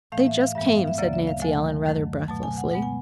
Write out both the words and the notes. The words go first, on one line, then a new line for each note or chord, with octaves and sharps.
"They just came," said Nancy Ellen rather breathlessly.
A2 E3 A3 F5
E5
F5
G2 E3 G#3 B3 E5
E5
F5
E5
D2 C#3 F#3 A#3 D5
E5
F5
D2 D3 F#3 A3 G#5
F#2 D#3 F#3 A3
B2 F#3 A3 A5
G#5
F#5
B2 G#3 B3 F#5
G#5